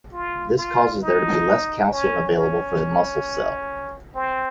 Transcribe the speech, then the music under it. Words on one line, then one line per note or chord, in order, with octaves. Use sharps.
This causes there to be less calcium available for the muscle cell.
F4
F4
D#4
C#4
C#4
C4